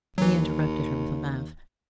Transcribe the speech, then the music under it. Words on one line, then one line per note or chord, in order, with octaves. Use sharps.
He interrupted her with a laugh.
D#2 E3 F#3